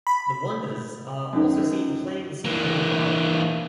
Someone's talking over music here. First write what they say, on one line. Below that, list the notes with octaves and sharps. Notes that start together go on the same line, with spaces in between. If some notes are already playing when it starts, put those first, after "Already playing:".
The Wonders are also seen playing the song Little Wild One.
B5
F#2 D#3
E3 A#3